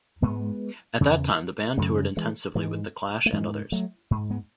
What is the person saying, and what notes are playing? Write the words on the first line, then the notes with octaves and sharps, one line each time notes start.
At that time the band toured intensively with The Clash and others.
G#2 G#3 B3
E2 C#3
F#2 C#3 F#3 A3
E3 G#3
G#2 E3 G#3
A3
G#2 E3 G#3
F#3 A3
G#2
G#3 B3